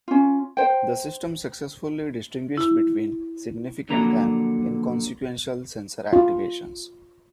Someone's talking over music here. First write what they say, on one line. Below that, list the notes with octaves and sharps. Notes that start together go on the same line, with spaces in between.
The system successfully distinguished between significant and inconsequential sensor activations.
C#4 F4
C5 G5
E4
D3 F3 F#3 A#3 A#5
F4